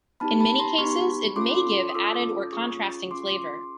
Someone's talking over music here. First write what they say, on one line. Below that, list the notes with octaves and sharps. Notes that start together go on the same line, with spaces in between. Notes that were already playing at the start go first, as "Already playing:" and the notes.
In many cases, it may give added or contrasting flavor.
B3 D#4 G4 A5 B5
A5 B5
A#5 C6
B3 D#4 G4 B5 C#6
C#4 F4 A4 C6 D6
D#6
C#4 F4 A4 D6 E6
C#4 F4 G#4 C#6 D#6
C#4 F4 G#4 C6 D6